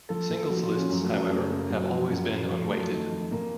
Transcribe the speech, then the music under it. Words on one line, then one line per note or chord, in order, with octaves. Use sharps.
Singles lists, however, have always been unweighted.
F3 A4
A#2
A4
F3 F#4
F4
F3
C#4
F#2 F#3
A3
F#2
F#3
F#2 A3
C#3 A#3
A#2 F#3
F3
F#2
F3
F3
A3
F3
F#3
D#3 A3
F2
A#2 A#3